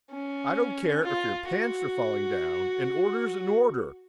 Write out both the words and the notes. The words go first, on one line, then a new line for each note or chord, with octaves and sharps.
"I don't care if your pants are falling down, an order's an order!"
C#4
F4
F#4